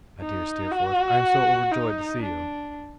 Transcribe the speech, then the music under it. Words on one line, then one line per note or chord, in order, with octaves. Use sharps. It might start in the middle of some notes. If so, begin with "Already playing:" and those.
My dear Steerforth, I am so overjoyed to see you!'
D#4
F#4
D#4
D4